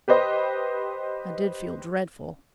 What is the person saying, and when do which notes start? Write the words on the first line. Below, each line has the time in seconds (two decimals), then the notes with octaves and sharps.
I did feel dreadful.
0.08 G4 B4 C5 D#5